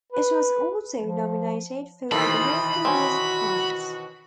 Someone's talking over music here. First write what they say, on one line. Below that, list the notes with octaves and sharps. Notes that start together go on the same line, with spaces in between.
It was also nominated for the Mercury Music Prize.
B4
F3
B2 D#3 E3 A4 C5 B5
C4 C#4 F#4